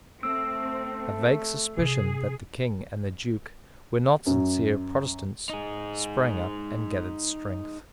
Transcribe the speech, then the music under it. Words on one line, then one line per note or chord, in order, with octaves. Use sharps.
A vague suspicion that the King and the Duke were not sincere Protestants sprang up and gathered strength.
A3 C4 E6 D7
C3 G#4
F#2
D#4 G#4